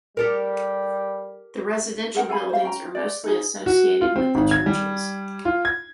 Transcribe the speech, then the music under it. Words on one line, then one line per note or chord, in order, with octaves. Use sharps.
The residential buildings are mostly associated with the churches.
G3 G4 A4 A#4
G#4 A#4 F#5 G5
A4 F5 G#5 B5
C5 F5
C#4 G5 A#5
D5
D#4 G#4
F#4
F4
C4
G#1
G#6
G3
F4
G#6